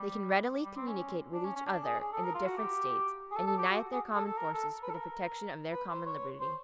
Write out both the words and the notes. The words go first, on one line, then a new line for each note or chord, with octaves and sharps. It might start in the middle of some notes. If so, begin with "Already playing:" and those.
They can readily communicate with each other in the different States, and unite their common forces for the protection of their common liberty.
Already playing: G3
G3
C4
C#4
D4
C#4
C#4
D4
G#4
G#4
A4
A#4
F4
F#4
G4
G#4
A4
A4
G4
F#4
G#4
A4
A4
A#4
A4
B4
A4
A#4
B4
C5
C#5
C5